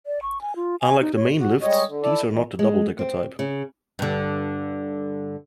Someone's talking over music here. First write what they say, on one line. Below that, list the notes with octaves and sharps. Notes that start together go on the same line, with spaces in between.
Unlike the main lifts, these are not the double-decker type.
D5
C#6
G#5
F4
G#5
D#4
C#5
F#4
G3 G#3 C#5 D#5
D3
E4 A4 D5
E3 G#3
G#3
C4
C#3
G2 D3